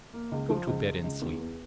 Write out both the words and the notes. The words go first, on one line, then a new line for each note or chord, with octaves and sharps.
Go to bed and sleep!
A#3
C#2
F3
C#2
C#2
C#2
E2
B3